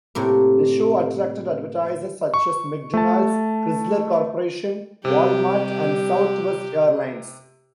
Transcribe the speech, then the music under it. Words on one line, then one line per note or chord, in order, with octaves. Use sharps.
The show attracted advertisers such as McDonald's, Chrysler Corporation, WalMart and Southwest Airlines.
A2 C3 A#3
C#6
A3 A5
C3 G3 G4